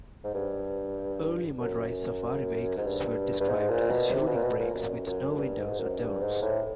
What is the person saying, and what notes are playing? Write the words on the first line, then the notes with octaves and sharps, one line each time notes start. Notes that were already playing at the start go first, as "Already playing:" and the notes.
Early motorized safari vehicles were described as shooting-brakes with no windows or doors.
G#2
G2
F#2
G#2
G2
G2
G#2
A#2
B2
C3
B2
A#2
B2
A#2
F#2
F#2
G2
G#2
F#2
G2
G#2
A2